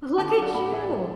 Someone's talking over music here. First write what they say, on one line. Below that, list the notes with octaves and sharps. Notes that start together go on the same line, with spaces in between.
look at you.
D3 A5 D6
A5 D6
F#3
D5 F#5
A2 F#5 B5
E3 E5
D5